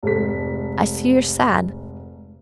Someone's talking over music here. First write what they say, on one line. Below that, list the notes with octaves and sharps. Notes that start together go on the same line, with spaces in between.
I see you're sad....
F1 G#2 A4 B6